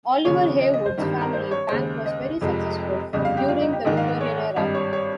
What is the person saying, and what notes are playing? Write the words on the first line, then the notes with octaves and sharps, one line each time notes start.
Oliver Heywood's family bank was very successful during the Victorian era.
D#2 C#3 F3 C#5
D#5
D#5
C5
G#1 G2 D#3 G3
A#4
C5
C#5
D#2 C#3 G#3 C5
D#5
F1 F2 C3 F3 G#3
G1 F2 C#3 G3 D#5
F5
G4
F4
D#4
G4
A#1 G#2 D#3 D#5
F5
C#5
G#1 G2 G3 D#5
C#5
C#5